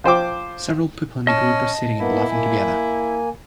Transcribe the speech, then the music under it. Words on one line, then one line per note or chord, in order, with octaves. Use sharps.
Several people in a group are sitting and laughing together.
F3 C5 G5 D6
C#4 D#5 A5
A#3 B3 E4
A#3 G#5